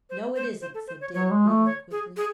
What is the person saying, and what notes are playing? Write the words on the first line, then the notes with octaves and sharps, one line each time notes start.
'No, it isn't,' said Dick, wheeling quickly.
C5
C5
C5
A4
C5
C#5
F#3 C#5
G#3
A3
C#5
G#4
G#4